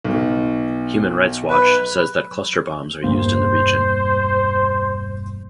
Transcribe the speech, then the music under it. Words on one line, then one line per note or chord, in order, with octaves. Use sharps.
Human Rights Watch says that cluster bombs are used in the region.
B1
B4
E1 G2 A#3 C5